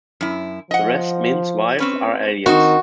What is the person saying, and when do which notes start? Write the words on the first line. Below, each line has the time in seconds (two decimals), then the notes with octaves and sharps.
The rest men's wives are aliens.
0.21 F#2 E4
0.71 F3 D#5 F#5
1.79 C4 C#4 B4
2.46 D#3 C4 D#4 F#4